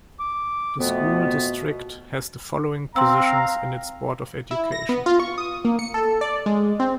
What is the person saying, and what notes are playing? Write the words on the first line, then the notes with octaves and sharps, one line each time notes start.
The school district has the following positions in its Board of Education.
D6
F2 B2 A3 B3
C4 F5 A#5 C6 E6
E4
A#6
B3
F4
C#6
D#6
A#3
C#7
A4
D5
G#3
C4